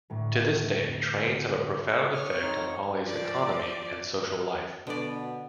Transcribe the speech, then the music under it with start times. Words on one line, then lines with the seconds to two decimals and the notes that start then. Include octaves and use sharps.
To this day trains have a profound effect on Holly's economy and social life.
0.10 D2 A2
2.13 C#5 D6 D#6 F6
2.41 C4 D#4
3.04 F3 D5
4.87 B2 D3 D5